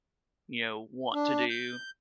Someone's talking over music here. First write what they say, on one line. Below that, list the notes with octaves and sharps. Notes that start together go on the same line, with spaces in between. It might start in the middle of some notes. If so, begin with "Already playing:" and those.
you know, want to do.
D4
G6